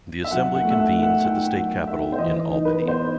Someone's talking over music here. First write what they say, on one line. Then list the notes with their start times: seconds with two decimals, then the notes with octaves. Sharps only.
The Assembly convenes at the State Capitol in Albany.
0.24 E5
0.31 F#3 F#5
0.55 F#5
0.63 A3
0.70 E5
0.79 F#5
0.94 D#4
1.02 F#5
1.24 D#4 G5
1.55 F#3 F#5
1.86 D#4 E5
2.12 C5
2.18 E3 D#5
2.50 D#4
2.65 B4
2.80 B3
2.88 C5